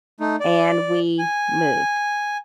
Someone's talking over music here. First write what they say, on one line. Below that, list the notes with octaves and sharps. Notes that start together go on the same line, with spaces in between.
and we moved.
A3 D#4
D5
G#5